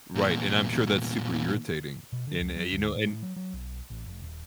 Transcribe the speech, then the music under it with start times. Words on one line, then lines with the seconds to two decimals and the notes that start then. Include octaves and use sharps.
Right and I'm sure that's super irritating and, eh you know, and
0.15 E2 A#2
2.13 B2
2.27 D3
2.40 C#2
2.56 F#3
2.72 D2
2.95 A2
3.23 F#3
3.36 F#3
3.53 B1
3.90 A1
4.06 F1
4.22 D#1